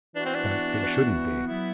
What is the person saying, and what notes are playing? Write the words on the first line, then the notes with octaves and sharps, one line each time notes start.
But it shouldn't be.
E3 B3 D4 F#4
C4
D4
E3 B3 F#4
F#3 B3 E4